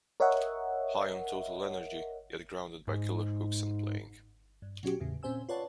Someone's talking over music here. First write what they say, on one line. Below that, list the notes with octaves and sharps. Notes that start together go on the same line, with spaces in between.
High on total energy yet grounded by killer hooks and playing.
A#4 C#5 D#5 E5 F#5
G#2
G2
B2 F#3 C#4 F#4 G4
E2 A2 C#3
A#2 C4 C#4 C5 G#5 E6
F4 B4 C#5 D5 F#5 A5